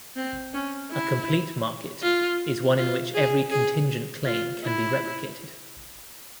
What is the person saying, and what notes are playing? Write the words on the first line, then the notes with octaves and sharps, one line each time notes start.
A complete market is one in which every contingent claim can be replicated.
C4
C#4
E4
F4
F4
G#4
G#4
F4
E4